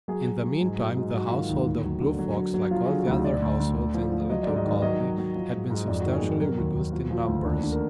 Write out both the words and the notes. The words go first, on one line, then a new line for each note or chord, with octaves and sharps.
In the meantime the household of Blue Fox, like all the other households in the little colony, had been substantially reduced in numbers.
F#3 G#4
F#3
F#3
G#2
F#3
G#2
F#3 F#4
D#3 F4
D#2 D#4
D2
F#3
D3
F#3
F#3
F#3
F3 F4
D3 G#4
F#4
D2 D#4
D2 D5
D2
D2
D2
F3
F3
F#3 D#5
G#2 D5
D#5
D#3 D5
F#3 D#5
F#3
F#3
F3
G#2
G#2
F2 D5
D#3 F#4
G#4
F2
F#4
F#3 A#4
D#2
D#2
F3 F#4
F3
F4
D2
D#2 D4
D3
A#4